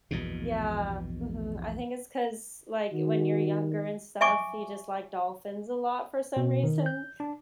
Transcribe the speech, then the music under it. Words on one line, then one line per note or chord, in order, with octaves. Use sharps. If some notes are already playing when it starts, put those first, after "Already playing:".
Yeah, mhm, I think it's 'cause, like, when you're younger and stuff, you just like dolphins a lot for some reason,
A#1 E2 G2 B2
D#3 F#4
E5 G#5 C#6 D6
B2
D#3
G6
D4